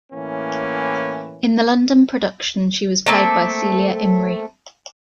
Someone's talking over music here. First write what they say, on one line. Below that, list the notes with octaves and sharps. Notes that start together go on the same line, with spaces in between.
In the London production she was played by Celia Imrie.
A2 E3 A#3 C#4
A3 A#3 C4